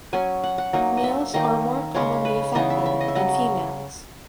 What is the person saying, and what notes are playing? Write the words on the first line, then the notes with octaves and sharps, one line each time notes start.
Males are more commonly affected than females.
F#3 C#4 G#5
F#5
F#5
F#3 A#3 D#4
D#5
E5
D#3 A#3 D#4 D#5
C#3 G#3 C#4 C#5
B4
C#3 E3 B3 D#4 D#5
E5
E5
D#5
E5
F#3 C#4 D#5